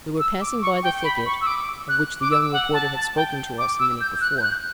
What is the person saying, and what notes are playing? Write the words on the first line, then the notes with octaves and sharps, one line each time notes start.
We were passing by the thicket, of which the young reporter had spoken to us a minute before.
E6
D6
C#6
G5
B5
C#6
E6
D6
F#6
D6
E6
F#5
A5
A5
G5
D6
E6
G6
F#6
G6
F#6